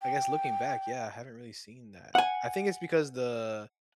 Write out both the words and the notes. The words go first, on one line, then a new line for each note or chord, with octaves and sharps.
I guess looking back, yeah, I haven't really seen that. I think it's because the
G5
F#5 G#5